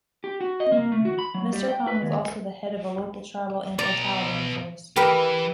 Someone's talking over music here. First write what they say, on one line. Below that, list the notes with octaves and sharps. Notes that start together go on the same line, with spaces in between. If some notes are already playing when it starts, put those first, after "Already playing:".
Mr Khan was also the head of a local tribal anti-Taliban force.
G4
F#4
D#5
A#3
A3
F#4
B5
F#3
G3
G5
B4
D#2
B2 D5 A#5
E3 G4 A#4 B4